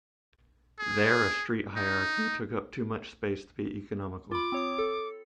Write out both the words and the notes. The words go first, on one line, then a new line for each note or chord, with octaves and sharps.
There a street hierarchy took up too much space to be economical.
G#4
D#4
F4 B5 D6
C4 C#5 D#6
A4